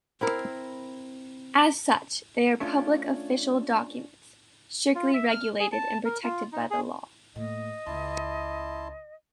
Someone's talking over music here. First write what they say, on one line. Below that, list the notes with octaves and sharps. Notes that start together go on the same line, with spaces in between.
As such, they are Public Official documents, strictly regulated and protected by the law.
C4 E4 A#4
A3 C#4 D4 F4
F4
E5
F6
G#4
A5
A#4
F4
D#4
G#4
A2 A#3 D#5
C#2 E4 A5 C6